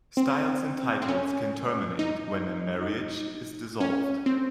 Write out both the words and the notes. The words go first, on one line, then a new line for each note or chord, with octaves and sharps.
Styles and titles can terminate when a marriage is dissolved.
C4
C4
C#4
D#4
C#4
C4